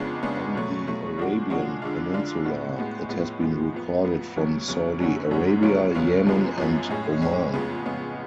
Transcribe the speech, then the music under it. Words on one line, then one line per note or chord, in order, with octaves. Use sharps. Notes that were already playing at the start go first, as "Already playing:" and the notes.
On the Arabian Peninsula it has been recorded from Saudi Arabia, Yemen, and Oman.
Already playing: F2 C#3 G#3 B3 D4
F2 C#3 G#3 B3 D4
B2 F#3 A3
B2 F#3 A3
C#3 F3 G#3 D4 F#4
C#3 F3 G#3 D4 F#4
F2 D3 G#3 D4 F4
F2 D3 G#3 D4 F4
A2 G#3 B3 F#4
A2 G#3 B3 F#4
A2 F3 G#3 B3
A2 F3 G#3 B3
F2 F3 B3
F2 F3 B3
D2 C#3 F#3 B3
D2 C#3 F#3 B3
F#2 D3 G#3 C#4 F#4
F#2 D3 G#3 C#4 F#4
D2 C#3 F#3 B3 F4
D2 C#3 F#3 B3 F4
F#2 F3 G#3 B3
F#2 F3 G#3 B3
A2 G#3 C#4 G#4
A2 G#3 C#4 G#4
F2 C#3 G#3 B3
F2 C#3 G#3 B3